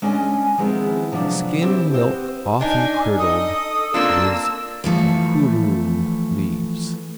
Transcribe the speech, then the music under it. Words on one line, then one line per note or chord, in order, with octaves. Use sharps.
Skim milk often curdled with Korourou leaves.
G#3 C#4 D4 D#5 F5 G#5
D#3 F3 G#3 B3 C4 E4
C3 F3 F#3 B3 D4
B3 C4 D4 E4 G4 C5
B3 C4 C5
D4 D#4 G#5
A4 D#5 D#6
A#3 C4 D4 F4 A5 E6
E3 F3 A3